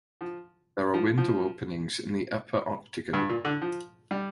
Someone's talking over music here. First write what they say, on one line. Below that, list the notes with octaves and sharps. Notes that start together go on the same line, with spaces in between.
There are window openings in the upper octagon.
F3
F3
F3
G2
A#2
D3
F3
G3